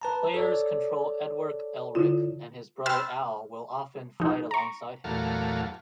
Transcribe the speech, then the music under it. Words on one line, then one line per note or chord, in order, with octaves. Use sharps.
Players control Edward Elric, and his brother Al will often fight alongside him.
B4 A5 A#5
A4 C#5 D5
D3 E4 F4
G5 B5 C6 E6 F6 A6
F3 D#4
A#5 C#6
E2 A#2 F#3 A3 F5